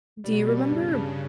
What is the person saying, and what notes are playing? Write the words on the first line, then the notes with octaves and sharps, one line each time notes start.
Do you remember
B2 G3
G3
G2 C#3
G2